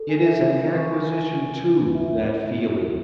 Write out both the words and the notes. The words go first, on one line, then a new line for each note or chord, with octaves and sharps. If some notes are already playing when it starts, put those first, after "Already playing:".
It is an acquisition, too, that feeling.
Already playing: A4
G#5
E5
B4
B4
C#6
G#5
G#5
G#5
E4
E4
B4
E5
E4
E4
E4
E4
F#4